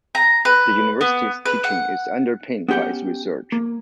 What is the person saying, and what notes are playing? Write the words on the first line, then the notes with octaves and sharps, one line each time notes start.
The university's teaching is underpinned by its research.
A#5
B4
B3
B4
F#5
B3 C#4 G4 F#5 G5
A#3